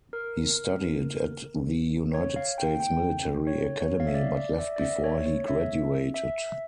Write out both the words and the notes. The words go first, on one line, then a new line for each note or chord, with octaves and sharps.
He studied at the United States Military Academy, but left before he graduated.
A#4
C#5
F5
G5
G5
C#5
C#5
F5
E5
D5
D5
D5
E5
D5
E5
C#5
C#5
E5
E5